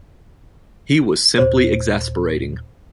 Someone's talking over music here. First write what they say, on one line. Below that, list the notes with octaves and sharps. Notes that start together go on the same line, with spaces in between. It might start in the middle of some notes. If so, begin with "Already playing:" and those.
He was simply exasperating.
D#2 A#2 C5